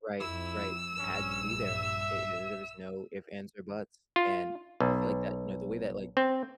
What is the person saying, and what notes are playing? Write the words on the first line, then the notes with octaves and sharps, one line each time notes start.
Right, right, you had to be there, it there there was no if, ands, or buts, and I feel, like, that you know, the way that, like,
F2 E4 E6
A#1 G2 C#4
E5
F4
B1
C4